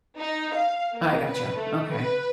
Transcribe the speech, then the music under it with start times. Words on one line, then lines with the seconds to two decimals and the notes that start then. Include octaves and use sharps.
I gotcha, okay.
0.19 D#4
0.53 F5
0.94 A#3
1.26 B4
1.58 A3
1.92 B4